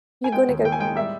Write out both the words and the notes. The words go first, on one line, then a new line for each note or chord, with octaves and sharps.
you gonna go"
G#5
G#3 G5
D#2
D#2 G5
G#5
G#3 G5
G3 E5